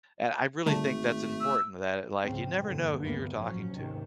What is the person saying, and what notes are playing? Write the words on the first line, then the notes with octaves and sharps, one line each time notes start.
And I really think that's important that, like, you never know who you're talking to.
G#1 D3 G3 A3 A5
E6
C#2 G#2 C#3 F3 C4
F#1 E2 G2 A#2 D3
D2 G2 E3 A#3 B3
A1 F3 F#3 C#4
D#2 G#2 C3 D#3